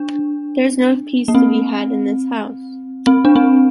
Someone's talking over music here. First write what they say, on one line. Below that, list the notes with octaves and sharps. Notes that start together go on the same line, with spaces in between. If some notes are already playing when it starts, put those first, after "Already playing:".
There’s no peace to be had in this house!
Already playing: D4
A#3
C4
C4
D4
C4